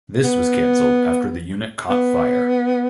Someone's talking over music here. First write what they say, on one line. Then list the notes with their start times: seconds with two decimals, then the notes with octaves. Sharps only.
This was cancelled after the unit caught fire.
0.24 B3
1.90 B3